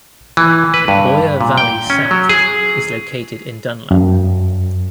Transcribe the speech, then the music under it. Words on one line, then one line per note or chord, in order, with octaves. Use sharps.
Boyer Valley South is located in Dunlap.
E3
B4
G2
A#2
G5
C#4
F#3
G#4
F#2